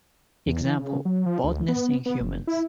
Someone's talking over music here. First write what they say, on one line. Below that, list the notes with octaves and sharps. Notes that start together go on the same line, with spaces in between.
Example: baldness in humans.
E2
E3
C#3
F#3
F3
D2
B3
B3
F#1
E4